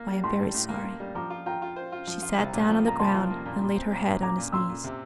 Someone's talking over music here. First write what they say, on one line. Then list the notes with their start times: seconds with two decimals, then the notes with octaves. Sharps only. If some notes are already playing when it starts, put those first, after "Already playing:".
I am very sorry.' She sate down on the ground, and laid her head on his knees.
Already playing: A#3
0.08 G3
0.23 A2 A5 C6
0.39 G3
0.54 A2
0.69 A#3
0.84 A#3
1.00 G3
1.15 F3 A#5 D6
1.30 F4
1.46 F4 G5 A#5
1.62 F4
1.76 C5
1.92 F4
2.07 F3
2.22 F4
2.39 C2
2.53 A#2
2.69 F3
2.84 A#3 A#5
2.99 C2 A5 C6
3.14 F3
3.30 A#3
3.45 A#2
3.61 A#2
3.76 C4
3.92 A#2
4.08 A#2
4.22 A#2 A#5 D6
4.38 A#2
4.52 A#2 C6 E6
4.69 A#2
4.84 C3